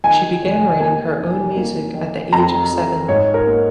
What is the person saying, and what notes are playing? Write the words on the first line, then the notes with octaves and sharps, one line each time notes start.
She began writing her own music at the age of seven.
D#3 G#5
F1
A#3 G#5
F1
A#3
D#3
F2 A#5
F2
G#2 C#5
A#4
A#3